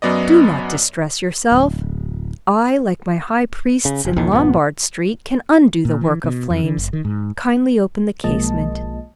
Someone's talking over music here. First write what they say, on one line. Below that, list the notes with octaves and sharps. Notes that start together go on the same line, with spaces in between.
Do not distress yourself. I, like my high priests in Lombard Street, can undo the work of flames. Kindly open the casement.'
F#2 F#3 B3 D5 D#5
D1
C#3
F#1
A#1 D#2 D#3
A#1 G2 E3 B3
A#2
E3
B2
F2
D3
F#1
D#3
G#2
B1 F3 G#3 A#3 D#5 A5